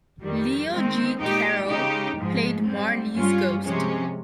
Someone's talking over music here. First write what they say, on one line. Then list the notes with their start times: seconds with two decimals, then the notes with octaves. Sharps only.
Leo G. Carroll played Marley's Ghost.
0.22 F2 D#3 G3
0.71 D#3 G#3 C4
1.20 A#2 G#3 D#4 G4
1.67 C#3 G#3 D#4 G4
2.17 G#2 F3 G#3
2.65 G#2 G3 C4
3.13 G2 G3 C#4 F4
3.63 C3 F3 G#3 C#4